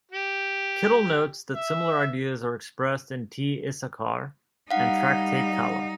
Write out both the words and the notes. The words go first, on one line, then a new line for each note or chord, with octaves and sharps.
Kittle notes that similar ideas are expressed in T. Issachar and Tractate Kalla.
G4
E5
G3 D#4 F5 F#5